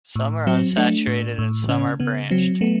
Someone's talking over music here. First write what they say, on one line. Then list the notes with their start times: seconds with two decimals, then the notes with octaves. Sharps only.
Some are unsaturated and some are branched.
0.16 A2
0.47 F#3 C4
0.77 A3 D4
1.07 A2
1.38 A2
1.69 C#3 C#4
2.00 C#3 B3
2.31 F#3 C4
2.61 A3 B3